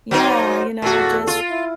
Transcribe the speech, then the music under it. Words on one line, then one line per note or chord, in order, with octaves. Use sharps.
Yeah, you know, I just
F#3 A#3 D#4 C5
E2 A#2 F#4 A4
F4
E4